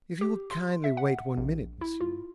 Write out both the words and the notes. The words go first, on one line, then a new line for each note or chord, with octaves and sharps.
'If you will kindly wait one minute, Miss Yule.
G4
C6
E5
F#5
A#1
E4
F4